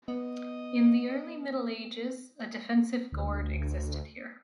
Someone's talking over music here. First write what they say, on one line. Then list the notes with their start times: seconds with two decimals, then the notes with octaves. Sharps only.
In the early Middle Ages, a defensive gord existed here.
0.08 B3 D#5
3.12 D2